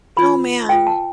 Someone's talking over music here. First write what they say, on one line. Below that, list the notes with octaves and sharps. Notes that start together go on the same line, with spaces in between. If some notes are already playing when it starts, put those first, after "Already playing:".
Oh, man.
F4 B4 B5
F4 B4 G5
A5